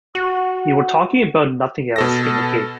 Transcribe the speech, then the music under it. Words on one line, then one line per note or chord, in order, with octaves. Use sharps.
You were talking about nothing else in the gig.
F#4
B2 A4 A#6